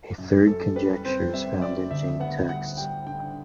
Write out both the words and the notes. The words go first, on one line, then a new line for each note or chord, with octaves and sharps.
A third conjecture is found in Jain texts.
F#2
F#2 A4
G3 B4
C4 C5
G3 E5
G3 D5
D2 E5
B3 F#5
G3 F#5
G3 G5
D3 G5